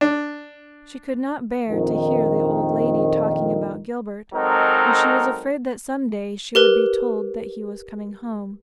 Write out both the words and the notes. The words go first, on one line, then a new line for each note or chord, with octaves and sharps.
She could not bear to hear the old lady talking about Gilbert, and she was afraid that some day she would be told that he was coming home.
D4
A#1 F2 D#3
F#3 G#3 C4 D#4 A4 A#4
G4 A#4 B4